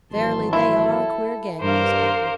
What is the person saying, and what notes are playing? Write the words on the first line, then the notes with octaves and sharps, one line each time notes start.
Verily, they are a queer gang, these people.
G#1 E3 F#3 A5 C6
E4 C6
A4
G2 A#4 C5 F5 D6